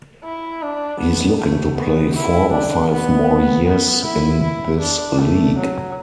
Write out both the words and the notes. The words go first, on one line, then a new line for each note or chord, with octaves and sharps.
He's looking to play four or five more years in this league.
E4
D4
B3
A3
B3
E4
D4
B3
B3
E4
E4
D4
A3
F#3